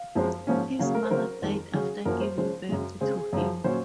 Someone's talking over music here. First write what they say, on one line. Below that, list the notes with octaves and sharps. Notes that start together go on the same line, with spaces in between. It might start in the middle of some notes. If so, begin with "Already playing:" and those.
His mother died after giving birth to him.
Already playing: F5
F#2 F3 G#3 C4
G#2 F3 A#3 C#4
C#3 F#3 A#3 C#4 F5
A#4
C5
C#3 F#3 C4 A#4
F2 D#3 G#3
C#3 F#3 C#4 G#4
F#2 F3 A#3 C#4 A#4
C5
C#3 F3 G#3 C#4 C5
F#2 C#3 G#3
C#3 G#3 C4 G#4
G#4
F#2 C#3 F3
A#2 F#3 C#4 C5